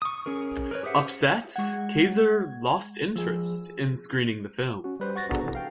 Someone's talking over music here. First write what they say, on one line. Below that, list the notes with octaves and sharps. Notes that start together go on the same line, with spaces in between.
Upset, Kayzer lost interest in screening the film.
C#6 D#6
C#4 G#4 A#4
A#4 B4 C#5
G4 G#4 C5 E5 F#5
G#3 F#5 C#6 G#6
F3 G#4 E6
C#4 F#4
G3 B4 C5
F#5 C#6 A6 A#6
B3 D4 F#4 G#4 A4 A#5
C3 E3
F5 G5